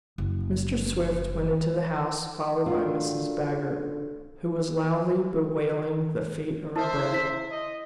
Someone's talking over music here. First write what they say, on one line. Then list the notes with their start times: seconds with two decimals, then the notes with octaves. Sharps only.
Mr. Swift went into the house, followed by Mrs. Baggert, who was loudly bewailing the fate of her bread.
0.18 F#1
2.66 A2 D3 D#3 D4 F4 F#4
6.76 E4 C5 E5 A5
7.13 E4 B6
7.50 D#5